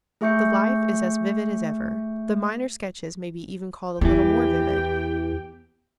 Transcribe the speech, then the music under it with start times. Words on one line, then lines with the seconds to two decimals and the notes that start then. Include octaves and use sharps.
The life is as vivid as ever; the minor sketches may be even called a little more vivid.
0.21 A3 G#4 E5 C#6 G6 C#7
4.01 E2 E3 B3 G4 G5